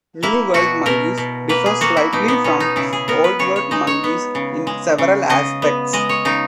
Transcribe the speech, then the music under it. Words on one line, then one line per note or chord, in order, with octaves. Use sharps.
New World monkeys differ slightly from Old World monkeys in several aspects.
A#3 E4
B2 F#4
B2 A#4
B2
A#3 B4
G#4
A#3 F#4
E4
B2 D#4
B3
B2 C#4
D#4
C#3 E4
G#4
B3 A#4
B4
C#3 C#5
C#5
G#3 D#4
C#5
B3
C#3
G#3
C#3
C#3 D#5
B3
G#3 D#5
C#5
C#3 D#4